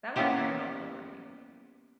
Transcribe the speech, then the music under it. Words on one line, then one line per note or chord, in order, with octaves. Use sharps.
That was very helpful for me.
A#3 B3 C#4 E4 G4 C5